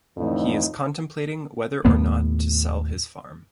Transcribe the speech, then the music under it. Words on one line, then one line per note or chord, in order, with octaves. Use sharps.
He is contemplating whether or not to sell his farm.
F2 A2 D3 E3 D#4
D#2 A2 D#3 B3